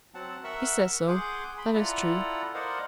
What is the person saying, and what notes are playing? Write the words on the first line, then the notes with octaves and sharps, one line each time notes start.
"He says so, that is true."
F#3 C4 F#5 A5
A#4 E5 F#5 C#6 E6 F#6
G#4 F#5 C6 D6 D#6 G6
B5 C6
E4 F4 A4 D5 F#5 A#5
A#4 C5 D5 D#5 F5 F#5